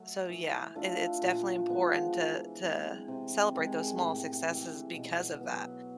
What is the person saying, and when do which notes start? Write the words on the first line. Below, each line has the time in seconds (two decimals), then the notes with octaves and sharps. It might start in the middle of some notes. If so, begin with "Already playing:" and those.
so yeah, i it's definitely important to to celebrate those small successes because of that.
Already playing: F#3 A3
0.30 E3
0.75 A3 D4 F4
1.22 A#2
1.69 F3 G#3 B3
2.15 E3
2.61 G#3 C4
3.08 C3
3.55 D#3 G#3
4.01 A2
4.47 E3 G#3
4.94 B2
5.41 F#3 B3